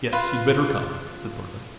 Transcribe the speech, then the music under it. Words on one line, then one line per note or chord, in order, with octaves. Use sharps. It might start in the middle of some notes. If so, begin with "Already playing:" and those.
"Yes, you'd better come," said Thorndyke.
F4 B4